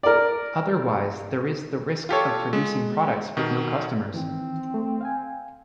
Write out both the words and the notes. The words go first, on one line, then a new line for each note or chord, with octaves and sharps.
Otherwise there is the risk of producing products with no customers.
A#4 D5
F4 G4 A4 C#5
G#3
B2 D#3
D#3 E3 C4
A3
F5 G5 G#5